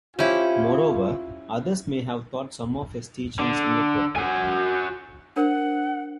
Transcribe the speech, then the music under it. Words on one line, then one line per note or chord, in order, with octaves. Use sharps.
Moreover, others may have thought some of his teachings inappropriate.
C#4 E4 F4 G4 C5 C#5
D3
F#4 G#5
D4 A#4 C5 F#5